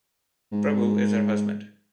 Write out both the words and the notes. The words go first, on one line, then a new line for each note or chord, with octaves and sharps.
Prabhu is her husband.
G#2